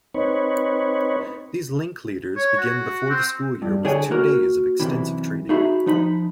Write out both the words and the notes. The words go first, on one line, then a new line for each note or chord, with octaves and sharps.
These Link Leaders begin before the school year with two days of extensive training.
C4 D#4 B4 C#5
C#5
F#4
C4
G2
D3 G#4 C#5 G5 G#5
A#3 F#4 A#4
F#2 C3 E3
D#4 F#4 G#4 E5 B5
F3 D#4 B5